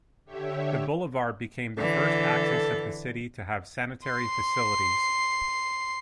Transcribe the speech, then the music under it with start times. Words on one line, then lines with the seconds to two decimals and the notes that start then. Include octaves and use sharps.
The boulevard became the first axis of the city to have sanitary facilities.
0.25 D3 G4 C#5 E5
1.77 D3 E3 A4
4.08 C6 C7